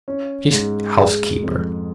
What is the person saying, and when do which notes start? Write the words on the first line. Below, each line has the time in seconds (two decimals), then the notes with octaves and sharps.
She's housekeeper.
0.08 C#4
0.52 G#2
0.97 G#3
1.43 F2